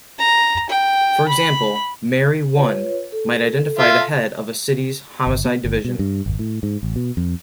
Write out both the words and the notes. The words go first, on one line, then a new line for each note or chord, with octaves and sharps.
For example, "Mary One" might identify the head of a city's homicide division.
A#5
G5
B5
F4 B4 C#5
A4
F4 E5
G1
B3
G1
B2
G2
G#1
A2
G#2
A1
B2
F2